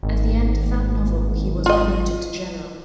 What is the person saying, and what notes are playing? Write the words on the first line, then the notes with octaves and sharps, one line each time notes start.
At the end of that novel he was promoted to General.
G#1
F4 D#5